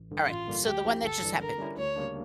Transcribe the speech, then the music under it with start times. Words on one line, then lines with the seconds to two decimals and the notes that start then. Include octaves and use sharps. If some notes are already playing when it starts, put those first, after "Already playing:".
Alright, so the one that just happened.
Already playing: A1
0.11 G2 D3
0.29 A1 F4
0.48 G2 D3 G3 A#3
0.66 D2 G4
0.85 D3 F3 A#3 E4
1.03 G1 A4
1.22 G2 E3 G3
1.40 D3 A#4
1.58 G3 C#4 E4
1.77 D2 C#5
1.96 C#3 G3 A#3 D4